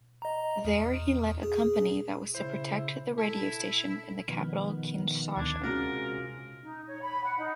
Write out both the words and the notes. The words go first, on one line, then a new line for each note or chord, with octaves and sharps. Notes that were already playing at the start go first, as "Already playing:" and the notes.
There he led a company that was to protect the radio station in the capital Kinshasa.
D#5 A#5
E2
G#4
C#3 E4 C5
E4 A4
B2 D#3 F3 B3
D2 D#3 D4 G#6
C3 G#3 C#4 F4 F#4 A#4
D#4
C#5
B5
F#5
D#4